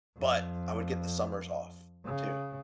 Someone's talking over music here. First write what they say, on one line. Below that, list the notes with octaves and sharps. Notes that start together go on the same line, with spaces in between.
but I would get the summers off, too.
F2
C#3